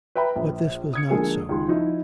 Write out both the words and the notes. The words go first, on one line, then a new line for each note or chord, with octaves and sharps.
But this was not so.
B4 E5 G5 A#5 B5
A#1
D#6 G#6 C#7
D3 F3 G#3 A#3 G#4 A4
C#2 D#3 G#4 C6
F3 D#4 E4